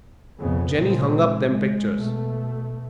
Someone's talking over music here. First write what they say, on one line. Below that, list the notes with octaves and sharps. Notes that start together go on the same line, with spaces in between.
Jenny hung up them pictures.
F1 B1 F2 C#3 B3
A#2 C#3 F3 G#3 C4
G#3
B2 A3